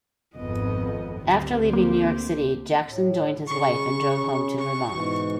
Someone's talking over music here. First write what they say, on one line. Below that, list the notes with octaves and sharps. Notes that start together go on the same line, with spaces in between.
After leaving New York City Jackson joined his wife and drove home to Vermont.
G#1 F2 B3 D#5
D2 C4 G4
A#3
A2
C#3 C#6
C#6
G#2 B2 E3